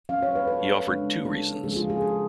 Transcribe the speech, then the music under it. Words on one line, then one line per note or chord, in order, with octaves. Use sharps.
He offered two reasons.
F#3 C#4 F5
C#5
B4
A4
C#3 G#3 D4
A4
C#3 F3 G#3 C#4 G#4
F4
G#4
A4